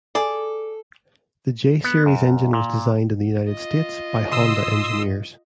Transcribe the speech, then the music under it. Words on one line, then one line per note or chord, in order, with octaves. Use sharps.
The J-series engine was designed in the United States by Honda engineers.
G#4 A4 D5
B3
F#2
A#2
F4 D#5
C#3 C6 D#6 E6
G#2